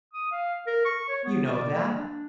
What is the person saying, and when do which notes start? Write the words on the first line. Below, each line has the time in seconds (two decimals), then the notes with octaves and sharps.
You know that.
0.13 D#6
0.31 F5
0.67 A#4
0.85 C#6
1.09 C#5
1.25 B3
1.49 D5
1.73 A#3
1.95 D4